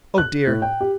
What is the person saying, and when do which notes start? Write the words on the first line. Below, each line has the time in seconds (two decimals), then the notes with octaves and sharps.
Oh! dear.
0.18 F#6
0.47 A2
0.62 G5
0.81 G4